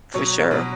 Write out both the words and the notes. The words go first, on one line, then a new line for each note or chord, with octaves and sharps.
for sure.
B2 F#3 C#5
B2 F#3